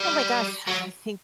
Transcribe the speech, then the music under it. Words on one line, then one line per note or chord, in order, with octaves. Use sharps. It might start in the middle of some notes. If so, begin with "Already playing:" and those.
Oh my gosh, I think
Already playing: G3
F#3